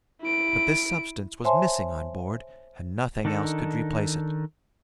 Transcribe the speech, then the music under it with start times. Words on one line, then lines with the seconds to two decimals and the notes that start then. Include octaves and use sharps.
But this substance was missing on board and nothing else could replace it.
0.21 E4 D7
1.44 C5 C#5 E5 G#5 A5 C6
3.25 D#3 D4 D#4 A4